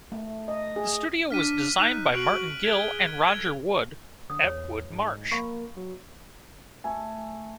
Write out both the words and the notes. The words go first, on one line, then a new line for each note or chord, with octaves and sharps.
The studio was designed by Martin Gill and Roger Wood at Wood Marsh.
A3
D#5
G#4
D4 F6 B6 D#7
D#4 F#6
F#4 D7 F7 F#7
G#4 G#6 D7 G7
A4 G#6 F7
D3 D#6
E2 C#5
G#2
A#3 F5 B5 C#6
F#3
A3 G#5